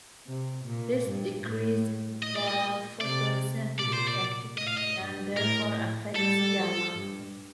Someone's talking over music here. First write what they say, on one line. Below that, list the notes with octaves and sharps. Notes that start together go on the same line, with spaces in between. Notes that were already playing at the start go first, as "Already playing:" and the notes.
This decreases the photosynthetic activity and therefore affects gamma.
C3
A#2
G2
A2
A#2 D#5
D5
D#5
C3 D5
A#2 D5
C5
D5
A2 D#5
F5
D#5
G2
A2 A#4
A2
G3 A4
F3
G2